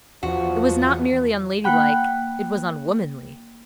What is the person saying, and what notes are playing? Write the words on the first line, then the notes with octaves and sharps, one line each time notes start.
It was not merely unladylike; it was unwomanly.
E2 F3 F#4
A#3 F#5 G5 B5 F#6